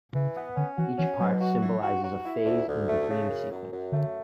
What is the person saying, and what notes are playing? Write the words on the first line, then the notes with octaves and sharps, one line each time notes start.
Each part symbolizes a phase in the dream sequence.
C#3 E3
B3
D3 C#4
E3 F#4
E3 C#4
B2 F#3
F#4
E3
F#4
F#4
E4
D2
D2
A3
C#3
F#2
F#2
F#2
D3 A3